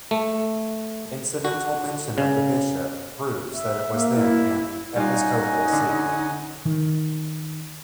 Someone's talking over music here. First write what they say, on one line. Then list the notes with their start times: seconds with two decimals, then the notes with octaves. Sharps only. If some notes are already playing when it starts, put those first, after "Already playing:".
Incidental mention of the bishop proves that it was then an episcopal see.
0.11 A3
1.45 F#4
2.18 C#3
3.53 E5
3.87 A#3
4.15 E4
4.96 G3 C#4 D#4 F4 F#5 G#5
5.73 D3
6.66 D#3